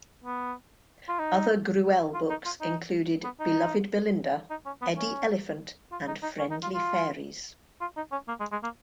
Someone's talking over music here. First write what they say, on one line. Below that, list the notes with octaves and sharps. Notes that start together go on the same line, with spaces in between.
Other Gruelle books included "Beloved Belinda", "Eddie Elephant", and "Friendly Fairies".
B3
F4
D#4
F4
D#4
F4
D#4
B3
D#4
D#4
C#4
B3
C#4
F4
D#4
D#4
C#4
D#4
F4
F4
F4
D#4
C#4
A#3
G#3
G#3
A#3